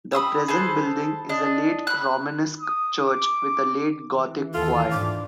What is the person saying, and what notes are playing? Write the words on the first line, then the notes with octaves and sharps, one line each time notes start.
The present building is a late Romanesque church with a late gothic quire.
B5 C6 D#6 E6
G#4 A4 B4 C5
D4 D#5
B5 F#6
D#6
D6
E3
D#2 F4 A4
G#2 D4 D6